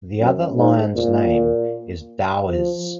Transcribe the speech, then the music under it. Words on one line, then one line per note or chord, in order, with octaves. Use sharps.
The other lion's name is Daoiz.
F#2
G#2
A#2
F3